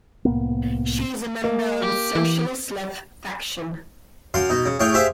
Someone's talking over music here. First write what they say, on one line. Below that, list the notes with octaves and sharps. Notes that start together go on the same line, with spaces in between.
She is a member of its Socialist Left faction.
C2 A2 A#3 B3
A#3
G4
E3
F#2 F5 C6
B2 D#4
C#3
A2 G#4 C#5 F5 G5
G4 G#4 C5 E5 F5